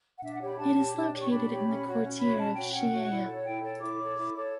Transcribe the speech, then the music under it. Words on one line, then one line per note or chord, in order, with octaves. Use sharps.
It is located in the quartiere of Chiaia.
F#5
D4 E5
F#5
G4 C#5
B5
D4 A5
G4 C#5
D4
G4 C#5
C#6
D4 B5
G4 C#5
C#4
F#4 C#5
C#4
F#4 C#5 B5
C#4 A5
F#4 C#5 G5
C#4 F#5
F#4 C#5
E4
A4
C#5
E4 G5
A4 C#5
E4 D6
A4 C#5
E4
A4 C#5